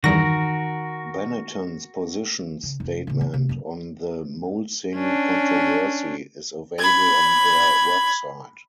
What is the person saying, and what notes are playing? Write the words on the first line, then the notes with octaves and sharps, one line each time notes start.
Benetton's position statement on the mulesing controversy is available on their website.
E2 G2 D#3 F#4 A#4 A#6
C#3
F1 D#3
A2 C#3
C#4
C3
F#1 F#2
C#4 D4
B5 G#6